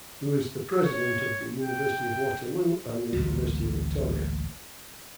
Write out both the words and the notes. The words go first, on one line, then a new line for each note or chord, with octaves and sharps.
He was the President of the University of Waterloo and the University of Victoria.
C#5
G5
A1 D2 A#2 G3